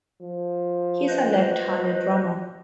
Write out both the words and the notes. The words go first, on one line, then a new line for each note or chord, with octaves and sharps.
He is a left-handed drummer.
F3
B4 C5 D#5